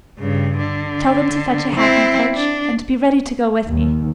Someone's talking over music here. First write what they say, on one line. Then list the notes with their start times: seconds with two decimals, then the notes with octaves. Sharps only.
'Tell them to fetch a hackney-coach, and be ready to go with me.
0.19 G2 C#3
0.57 D3
1.76 C4 E4
2.35 D4
3.66 D#2